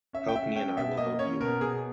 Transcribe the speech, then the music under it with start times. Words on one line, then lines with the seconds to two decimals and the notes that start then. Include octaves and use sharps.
Help me and I will help you.
0.13 C#4 E5
0.28 G5
0.35 C#4 E5
0.55 C#4 G5
0.77 B2 E5
0.97 A#3 D#5
1.19 C#4 C#5
1.41 B2 A#4
1.61 B2 G#4